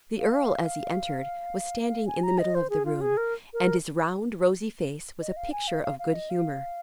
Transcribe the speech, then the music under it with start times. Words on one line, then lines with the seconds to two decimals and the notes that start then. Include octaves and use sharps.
The earl, as he entered, was standing in the middle of the room, and his round rosy face was a picture of good-humour.
0.19 F5
2.07 G#5
2.23 A#5
2.39 D#5
2.55 C5
2.70 G#4
2.85 F4
3.01 G#4
3.17 A#4
3.53 A#4
5.20 D#5
5.36 F5
5.52 G#5
5.68 F5
5.83 F5
5.99 F5
6.14 D#5
6.30 F5